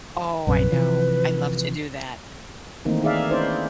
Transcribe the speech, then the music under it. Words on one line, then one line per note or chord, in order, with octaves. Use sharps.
Oh, I know. I love to do that.
A#1 F#2 C3 B4
C3 E3 F3
D#3 E3 A3 A#3 C4 D#4
D#4 G#4 D5 E5 F5
C#4 D#4 E4 C5 D5